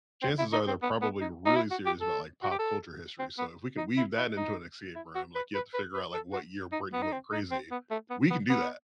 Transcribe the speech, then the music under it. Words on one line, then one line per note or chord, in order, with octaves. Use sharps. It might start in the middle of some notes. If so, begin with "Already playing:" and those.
chances are they're probably really serious about, like, pop culture history, so if we can weave that into an escape room, like, you have to figure out, like, what year Britney went crazy, we can do that.
C4
E4
D#4
C4
B3
B3
D#4
D#4
E4
F#4
G4
A4
F#4
G4
A4
C4
B3
D#4
E4
E4
D#4
E4
F#4
B4
B4
B4
B4
A4
F#4
D#4
B3
D#4
C4
D#4
C4
B3
A3
B3
B3
B3